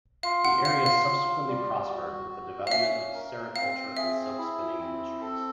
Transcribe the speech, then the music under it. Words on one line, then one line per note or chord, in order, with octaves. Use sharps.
The area subsequently prospered with the development of sericulture and silk spinning industries.
F4 F5
F#5
F4 F5
F5
F4
G3
F#4
F#4
F5
C#4 E5
A#4
C4 F5
G#4 E5
E4
C4
A4